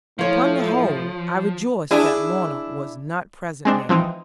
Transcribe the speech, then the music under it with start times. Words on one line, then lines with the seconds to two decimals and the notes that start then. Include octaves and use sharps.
Upon the whole, I rejoiced that Lorna was not present now.
0.19 A2 F3 F4 C#5
1.91 D4 E4 G#4
3.65 G#3 C4 D4
3.89 E3 F3 C4 D#4